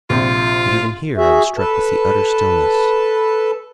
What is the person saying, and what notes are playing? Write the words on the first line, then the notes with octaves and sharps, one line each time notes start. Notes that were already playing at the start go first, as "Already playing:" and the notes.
But even here I was struck with the utter stillness.
A#1 C3 F4
F#4 G#4 E5
A4 B4 A5